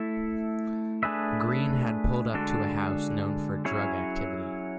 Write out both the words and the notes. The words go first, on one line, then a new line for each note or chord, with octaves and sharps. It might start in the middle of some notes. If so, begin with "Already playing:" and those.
Green had pulled up to a house known for drug activity.
Already playing: A3 E4 A4 E5
A3 D4 G#4 B4 E5
D3 G#3 D4 F#4 A4
F#3 C#4 E4 G#4 C#5